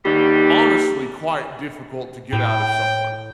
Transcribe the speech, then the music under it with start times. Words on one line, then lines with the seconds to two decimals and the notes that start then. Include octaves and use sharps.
honestly quite difficult to get out of someone,
0.05 D#2 D3 E3 G3 G4
2.33 A2 G5